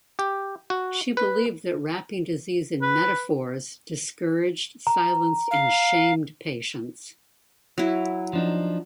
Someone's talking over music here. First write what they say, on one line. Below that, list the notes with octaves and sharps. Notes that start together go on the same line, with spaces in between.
She believed that wrapping disease in metaphors discouraged, silenced, and shamed patients.
G4
F#4
B4
B4
A#5
F5
F#3 E4
F3 D4 D#4